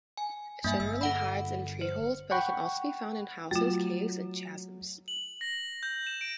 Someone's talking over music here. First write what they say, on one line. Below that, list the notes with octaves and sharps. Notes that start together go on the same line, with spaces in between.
It generally hides in tree holes, but it can also be found in houses, caves and chasms.
G#5
G2 A#3 E5 G#5
G1 E6
A4 F#5 B5
C5
F#5 G5 B5 C#6
F#3 A3 F4
F#7
A#6
G6
E7
D7